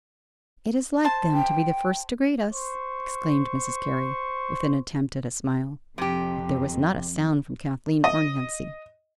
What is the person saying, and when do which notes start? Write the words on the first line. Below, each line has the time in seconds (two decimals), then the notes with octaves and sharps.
"It is like them to be the first to greet us!" exclaimed Mrs. Carey, with an attempt at a smile, but there was not a sound from Kathleen or Nancy.
1.05 C5 A5
1.34 G5
2.54 C5 C#6
5.98 F2 C3 G4
8.04 D#5